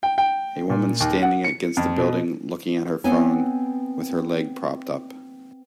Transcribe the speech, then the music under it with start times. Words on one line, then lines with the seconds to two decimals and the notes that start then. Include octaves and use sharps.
A woman standing against a building looking at her phone, with her leg propped up.
0.03 G5
0.18 G5
0.70 A#2
1.00 D#2
1.23 F#5
1.44 C#7
1.77 F2
1.98 B2
3.04 B3 C4 B4 C#5 G#5